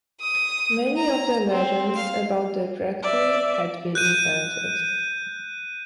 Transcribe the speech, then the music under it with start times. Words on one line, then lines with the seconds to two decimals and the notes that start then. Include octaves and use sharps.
Many of the legends about the rectory had been invented.
0.21 D#6
0.97 A#5
1.51 C4
1.97 F5
3.03 D5 E5
3.95 F#6 G6 D#7